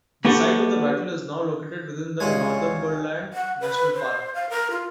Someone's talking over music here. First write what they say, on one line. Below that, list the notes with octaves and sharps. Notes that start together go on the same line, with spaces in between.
The site of the battle is now located within the Northumberland National Park.
A#3 B3 D4 F#4 G4 A4
C2 G#3 F4 C#5 G#5
F#5
B4
C5
F5
A#4
F4